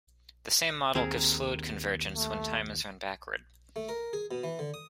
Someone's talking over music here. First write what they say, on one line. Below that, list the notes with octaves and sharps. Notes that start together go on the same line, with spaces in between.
The same model gives fluid convergence when time is run backward.
D#2 C4 G#4 A#4
A3
A3
A#4
G#4
B2
E3
D3
D#6